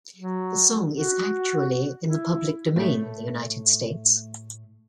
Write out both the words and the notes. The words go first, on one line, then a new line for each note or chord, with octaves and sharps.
The song is actually in the public domain in the United States.
F#3
F#4
E4
A2 A3